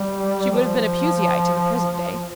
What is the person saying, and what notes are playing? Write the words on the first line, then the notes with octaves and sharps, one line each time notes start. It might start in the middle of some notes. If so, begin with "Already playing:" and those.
She would have been a Puseyite in the present day.
Already playing: G3
F3